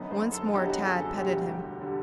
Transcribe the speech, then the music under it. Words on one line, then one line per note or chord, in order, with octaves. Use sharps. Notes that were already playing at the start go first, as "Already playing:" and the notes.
Once more Tad petted him.
Already playing: F#2 D3 F#3 B3 D#4
C5
A4
F#2 D3 F#3 B3 D#4 G4
F#4
G#4
A4
A4
E1 D2 D3 G3 G4
F#4
G4
D3 G3